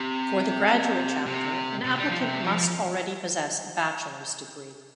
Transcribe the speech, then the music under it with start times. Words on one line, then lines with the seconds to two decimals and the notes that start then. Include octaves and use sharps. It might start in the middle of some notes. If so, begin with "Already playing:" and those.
For the graduate chapter, an applicant must already possess a bachelor's degree.
Already playing: C3
1.26 C3
1.84 C3
1.97 G3
2.09 F3
2.20 C3
2.44 F3